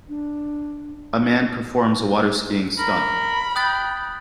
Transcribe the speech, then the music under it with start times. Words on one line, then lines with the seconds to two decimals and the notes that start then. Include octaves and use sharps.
A man performs a waterskiing stunt.
0.09 D4
2.79 A#4 B5
3.56 G5 D#6 F#6 A6